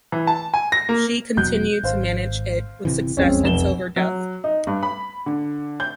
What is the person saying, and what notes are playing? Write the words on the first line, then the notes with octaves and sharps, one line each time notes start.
She continued to manage it with success until her death.
E3
A5
G#5
A#6
A#3
E1 B2 F#3 F#6 G6
G#1 C5 F5
G1 C3 E3
E1 B1 F2 G#3 C4 C#4
F1 E7 G7
F#3
D#4
G2
B5
D3
G6